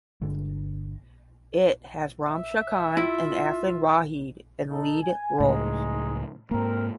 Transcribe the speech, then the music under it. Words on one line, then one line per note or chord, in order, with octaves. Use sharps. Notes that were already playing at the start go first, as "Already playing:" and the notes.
It has Ramsha Khan and Affan Waheed in lead roles.
G1 D3 G#3
E5
E4 F4
D#4 A4
G#5
C#2 A2 G#3 D#4 G#4
G#2 A#3 C4 A#4